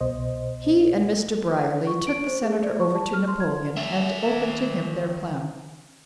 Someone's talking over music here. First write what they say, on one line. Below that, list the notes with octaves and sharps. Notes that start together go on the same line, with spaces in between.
He and Mr. Brierly took the Senator over to Napoleon and opened to him their plan.
C2 B2 C5 D#5
C#6
D7
C5
G#4
D5
C#6
A5
F6
C6
G#6
D#3 E5